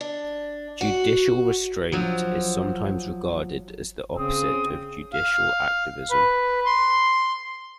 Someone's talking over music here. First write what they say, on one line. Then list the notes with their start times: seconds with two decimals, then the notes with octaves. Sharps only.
Judicial restraint is sometimes regarded as the opposite of judicial activism.
0.01 D4
0.81 F#4
1.92 F3 F#3
4.16 C#3 C4 D#6
5.13 F5
6.11 B4
6.66 C6